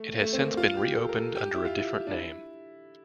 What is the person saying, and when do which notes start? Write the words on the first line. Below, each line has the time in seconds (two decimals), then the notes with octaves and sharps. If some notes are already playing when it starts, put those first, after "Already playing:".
It has since been reopened under a different name.
Already playing: A3
0.20 A3
0.33 C4
0.38 A#3
0.57 F4
0.77 G4
0.96 A4
1.09 A#4
1.16 A4
1.35 G4
1.55 E4
1.65 F4
1.77 E4
2.07 D4
2.12 E4